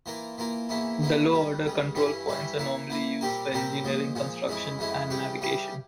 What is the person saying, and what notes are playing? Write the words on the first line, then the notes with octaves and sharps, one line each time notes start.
The lower-order control points are normally used for engineering, construction and navigation.
E3 A#3 F4 A#4
E3 A#3 F4 A#4
E2 E3 A#3 C#4 E4
E2 E3 A#3 C#4 E4
C#2 C#3 G3
C#2 C#3 G3
G2 E3 G3 C#4 E4
G2 E3 G3 C#4 E4
E3 A#3 E4
E3 A#3 E4
A#2 G3 C4 G4 A#4
A#2 G3 C4 G4 A#4
A#2 F3 G#3
A#2 F3 G#3
F2 C#3 E3 G#3 E4
F2 C#3 E3 G#3 E4
C#3 E3 G3 C#4 G4
C#3 E3 G3 C#4 G4